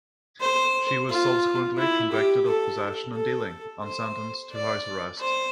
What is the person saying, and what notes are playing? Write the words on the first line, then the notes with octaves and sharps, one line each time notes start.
She was subsequently convicted of possession and dealing and sentenced to house arrest.
C5
F4
E4
G4
A4
A4
C5
D5
C5